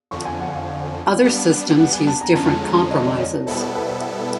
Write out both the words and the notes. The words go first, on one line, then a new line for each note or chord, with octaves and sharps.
Other systems use different compromises.
F2 D3 F3 C#6
G#5
F#5
F5
G3 B3 D4
F#5
G#5
A5
A#5
F2 D3 F3 G#3 C#4 A5
A5
A#5
D#5
D5
C#5
B2 G3 B3 E4 A4 C5
C5
B4
C5